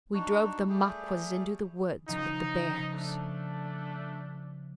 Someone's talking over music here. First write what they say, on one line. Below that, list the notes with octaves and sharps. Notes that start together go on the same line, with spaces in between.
We drove the Maquas into the woods with the bears.
D4 D#4 F#4
G3 A3 G4 G#4
C#3 F3 D#4
A3 D4